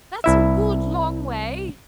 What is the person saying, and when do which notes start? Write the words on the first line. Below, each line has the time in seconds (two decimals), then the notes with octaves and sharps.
'That's a good long way.
0.24 C2 E4 E5